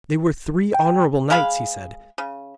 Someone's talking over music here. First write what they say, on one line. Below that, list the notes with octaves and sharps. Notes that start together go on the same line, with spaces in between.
'They were three honourable knights,' he said.
G5
G#3 G#4 F5 B5
C#3